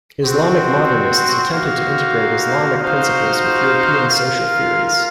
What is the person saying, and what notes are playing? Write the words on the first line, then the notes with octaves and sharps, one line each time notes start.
Islamic Modernists attempted to integrate Islamic principles with European social theories.
C4 F#4 C5
A#3 D#4 F#4 C5 F5
D#4 F#4 C5 F5
F4 A#4 F5